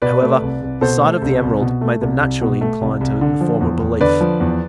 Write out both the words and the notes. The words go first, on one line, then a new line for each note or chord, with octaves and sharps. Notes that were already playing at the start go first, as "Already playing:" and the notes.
However, the sight of the emerald made them naturally incline to the former belief.
B2 B4 D5
A3
C2
C2
B2 A4 C5
A3
C2
C2
B2
A3
C2
C2
B2
A3
C2
C2
D3
F3
E2
E2
D3 B4 D5
F3
E2